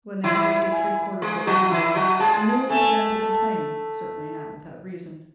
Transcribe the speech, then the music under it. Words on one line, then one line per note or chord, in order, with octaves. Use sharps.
When they had waited three-quarters of an hour Amelia began to complain,--certainly not without reason.
E3 E4
G#5
G#3 G#4
F#3 F#4
E3 E4
F#3 F#4
G#3 G#4 A5
A3 A4 G#5
A5